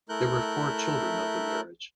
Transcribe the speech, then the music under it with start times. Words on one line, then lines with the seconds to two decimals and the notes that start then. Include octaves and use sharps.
There were four children of the marriage.
0.09 A3 E4 A#4 F#6 G6